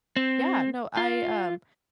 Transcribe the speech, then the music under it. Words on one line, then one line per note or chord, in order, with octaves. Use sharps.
Yeah, no, I, um
C4
F4